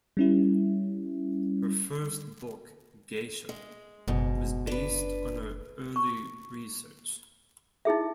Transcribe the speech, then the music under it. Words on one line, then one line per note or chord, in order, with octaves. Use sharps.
Her first book, "Geisha", was based on her early research.
G3 C#4 E4
G#3
F#1 G#2 B2
D4 B4
C#6
D#4 E4 G#4 E5